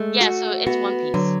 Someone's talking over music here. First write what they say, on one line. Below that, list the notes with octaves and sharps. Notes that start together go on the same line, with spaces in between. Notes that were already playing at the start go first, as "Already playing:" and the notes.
Yeah, so, it's One Piece.
Already playing: G#3 A3
F#4
B3 F#4
D3 F#3